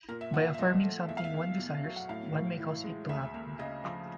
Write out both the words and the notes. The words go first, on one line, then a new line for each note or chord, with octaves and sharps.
By affirming something one desires, one may cause it to happen.
A#2 A#4
E5
A#2 F#5
F5
E5
F3 D#5
A3
E2 E5
F5
E5
E2
B2
F#3
F#5
A2 F5
A2
E3
G#3
D2 E5
A#3
C#3 D#5
F3